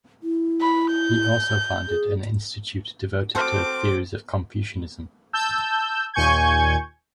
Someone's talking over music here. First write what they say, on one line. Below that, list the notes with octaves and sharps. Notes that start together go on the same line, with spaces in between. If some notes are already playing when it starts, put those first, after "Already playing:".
He also founded an institute devoted to the theories of Confucianism.
E4
B5
G6
G#4
C4 F#4 A4 C5 A5 C6 D6 F6
A5 E6 G6
D#2 A#2 G#5 C#6 G6 G#6